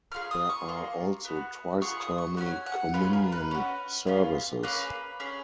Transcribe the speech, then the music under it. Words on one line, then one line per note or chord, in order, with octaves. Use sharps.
There are also twice-termly Communion services.
C#4 F4 G#4 F6
D#6
C#6
A#3 F4 G#4
B3 F#4
B3 F4 G#4 C#6
D#6
C#6
C#4 F#4 G#5
F#5
C#4 F4 G#4 B4
A#4
B4
C#4 F#4
C#4 F4 G#4
A#3 C#4 G#4 B4
C#4 G#4